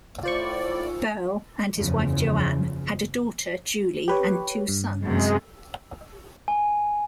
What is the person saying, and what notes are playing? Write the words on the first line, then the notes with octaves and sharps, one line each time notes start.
Beyrle and his wife JoAnne had a daughter, Julie, and two sons.
A2 F4 C5 D5 C#6
F#1 E2 C#3 F3
G4 B4 C#5
G2
F#2 C3 G#3
G#5